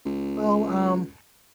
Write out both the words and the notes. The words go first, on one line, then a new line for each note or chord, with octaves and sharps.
Well, um,
C#2